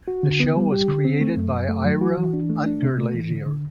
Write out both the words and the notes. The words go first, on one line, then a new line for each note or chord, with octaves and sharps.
The show was created by Ira Ungerleider.
F#4
D3
B3
G3
G4
D3
C4
A3
F#2
F#2
A3
F#3
F#4
E3
D4
A3
D4
C3
A3
E3
D3
D3